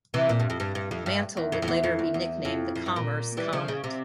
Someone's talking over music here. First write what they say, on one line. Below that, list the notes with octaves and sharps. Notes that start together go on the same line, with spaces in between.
Mantle would later be nicknamed The Commerce Comet.
C3 E3
A#2
G2
F2
G2
G2
F2
G2
E2
F2
F2
E2
F2
E2
E2
F2
F2
G2
A#2
E3 G3
C#3 F3
C#3
C3